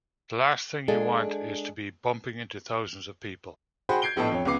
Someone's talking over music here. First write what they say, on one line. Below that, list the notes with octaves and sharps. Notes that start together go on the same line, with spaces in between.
The last thing you want is to be bumping into thousands of people.
G#3 D4 G#4 A4 F5
F#4 G#4 C5 F#5 G5 B5
G6 G#6 C7 D7 G7
A#1 A2 B3 A4 D#5 A5
F2 C#5
C#2 C#3 B3 D6 C7